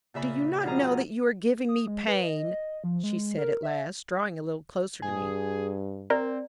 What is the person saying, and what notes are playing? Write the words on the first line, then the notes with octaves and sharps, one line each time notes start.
"Do you not know that you are giving me pain?" she said at last, drawing a little closer to me.
A#2 C#3 E5 B5
G2 B2 F3 F4 G#4 A#5
D#6
G#3
B4
D#5
F3
G#3
A#4
E5
G2 G#4
C4 A#4 D5